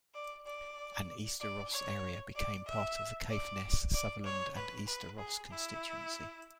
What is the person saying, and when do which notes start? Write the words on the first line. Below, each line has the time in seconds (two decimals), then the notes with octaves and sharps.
An Easter Ross area became part of the Caithness, Sutherland and Easter Ross constituency.
0.14 D5
0.46 D5
1.40 D5
1.72 C#5
2.35 D5
2.66 E5
3.29 D5
3.93 D5
4.25 C#5
4.56 B4
4.87 B4
5.19 G#4
5.50 E4